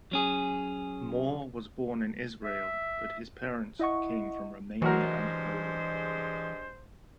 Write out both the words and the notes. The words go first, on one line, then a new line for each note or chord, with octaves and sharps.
Mor was born in Israel but his parents came from Romania and Poland.
F#3 C#4 G#4
E5
E4 D#5 F#5 C#6
G2 E3 F#3 G#3 F#4 A#4 C5